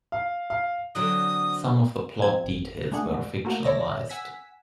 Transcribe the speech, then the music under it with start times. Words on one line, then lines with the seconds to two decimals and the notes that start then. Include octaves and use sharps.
Some of the plot details were fictionalized.
0.12 F5
0.50 F5
0.95 D3 F#3 C4 D#6
2.22 F3 C4 G#6
2.44 G#1
2.92 G#3 A3 D4 G#4 F#5
3.45 A3 A#3 F#4
3.64 C#5 D5 E5 A#6
4.10 F#5 G#5 E6 B6